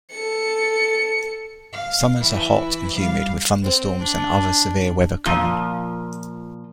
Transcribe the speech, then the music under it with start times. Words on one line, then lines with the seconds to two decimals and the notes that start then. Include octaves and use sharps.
Summers are hot and humid, with thunderstorms and other severe weather common.
0.10 A4 C#7
1.73 F5
2.20 E3 E4
2.96 G3 F5
3.62 C4
4.01 D4
5.25 A#2 F3